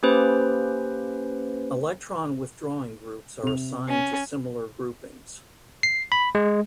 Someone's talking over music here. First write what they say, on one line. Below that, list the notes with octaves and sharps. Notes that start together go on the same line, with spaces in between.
Electron withdrawing groups are assigned to similar groupings.
A#3 C#4 G4 B4 C5
C3 F7
C#4
C7
B5
G#3